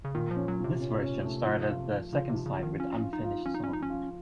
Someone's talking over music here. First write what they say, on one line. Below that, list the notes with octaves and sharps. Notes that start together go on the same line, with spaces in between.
This version started the second side with "Unfinished Song".
C#3
A#2 D#3
F3
C#4
F#3
A#2
C3
C#4
C#4
A3
F3
F4
F3
C#3 F4
C3
F3
C#3
D#3 F3
C#4 F4
F4
D#4
F4
F3 C#4
D#4
C#4
F3 D#4
C#4
F4